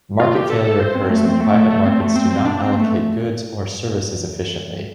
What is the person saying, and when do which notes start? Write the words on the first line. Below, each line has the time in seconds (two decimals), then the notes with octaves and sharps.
"Market failure" occurs when private markets do not allocate goods or services efficiently.
0.20 F4
0.35 G4
0.50 A4
0.65 A4
0.80 C5
0.95 C4
1.10 A3
1.25 C4
1.40 A3
1.55 A3
1.71 A3
1.85 C4
2.01 A3
2.16 C4
2.31 C4
2.45 D4
2.61 C4
2.76 A3